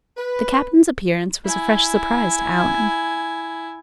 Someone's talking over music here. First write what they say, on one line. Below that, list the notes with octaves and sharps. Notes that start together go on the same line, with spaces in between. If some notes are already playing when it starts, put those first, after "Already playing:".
The Captain's appearance was a fresh surprise to Alan.
B4
E4 G#5